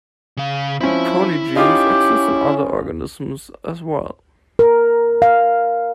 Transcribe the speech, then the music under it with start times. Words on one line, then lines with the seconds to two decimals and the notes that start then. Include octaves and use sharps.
Polygenes exist in other organisms, as well.
0.37 C#3 F5
0.81 F3 C4 C#4 E4
1.56 C#4 D#4 F4 G4
4.59 A#4
5.22 F5